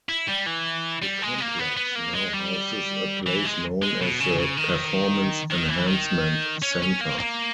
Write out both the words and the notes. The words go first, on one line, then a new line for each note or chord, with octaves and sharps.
The complex now houses a place known as the Performance Enhancement Center.
E4
G3
E3
G3
G#3
A#3
B3
B3
A#3
G#3
G3
E3
G#3
G#3
B2
C#3
C#3
D#3
D#3
E3
D#3
C#4
C#4
A#3
A#3